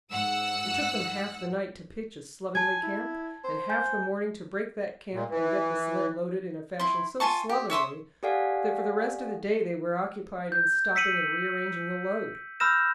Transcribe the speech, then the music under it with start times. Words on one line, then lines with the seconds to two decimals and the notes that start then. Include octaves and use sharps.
It took them half the night to pitch a slovenly camp, and half the morning to break that camp and get the sled loaded in fashion so slovenly that for the rest of the day they were occupied in stopping and rearranging the load.
0.10 G#2 F#5 E6 F#6
2.55 G#5 A5 G#6
2.83 E4
3.44 C5
3.69 G#5 G6
5.13 A#2
5.30 E3
6.79 E4 C6
7.20 F4 G#5 A5 C#6
7.49 G4
7.70 C#5 E5 C6 D#6
8.23 G4 A4 D5 F5 F#5 G#5
10.52 G6
10.95 E6 B6 C#7 D#7 F#7
12.60 B5 E6 F6 G6 A#6 E7